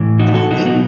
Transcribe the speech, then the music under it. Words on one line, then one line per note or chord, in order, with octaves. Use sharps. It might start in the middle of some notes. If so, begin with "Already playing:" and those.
And aren't you?
Already playing: A2 E3
D#4 F#4
F#4 A4
B2 F#3 D#4 F#4
B3 D#4